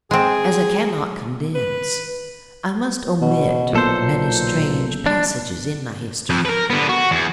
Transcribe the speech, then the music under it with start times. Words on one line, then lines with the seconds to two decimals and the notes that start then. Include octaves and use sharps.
As I cannot condense, I must omit many strange passages in my history.
0.11 G#3 C4 G#4
1.55 B4
3.21 B2
3.73 B1 A#2 A4 C5
5.06 D4
6.30 F2
6.45 A#4 B4
6.70 D3 B3
6.89 F#4
7.11 E2